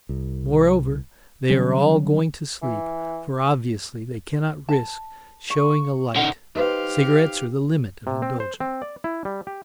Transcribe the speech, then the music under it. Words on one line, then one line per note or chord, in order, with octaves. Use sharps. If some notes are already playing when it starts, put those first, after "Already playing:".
Moreover, they are all going to sleep, for obviously they cannot risk showing a light; cigarettes are the limit of indulgence.
C2
D3 F#3 G3 C#4
E3
A5
C#6
D3 C#4 D#4 F#5
D#4 G4 B4 C5 F5
C3
C4
C5
C4
D5
E4
G3
G4